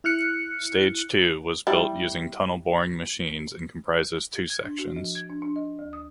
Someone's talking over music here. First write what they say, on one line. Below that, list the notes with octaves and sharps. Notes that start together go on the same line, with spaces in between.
Stage Two was built using tunnel boring machines and comprises two sections.
E4 F6 F#6 C#7
G3 E4
G#6
D4
F#4
F3
G#6
D4
D4
D#5
D2
D#6